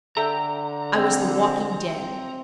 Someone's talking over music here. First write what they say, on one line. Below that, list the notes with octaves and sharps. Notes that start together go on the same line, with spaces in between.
I was the walking dead.
D3 A4 E5 G5 A#5
C4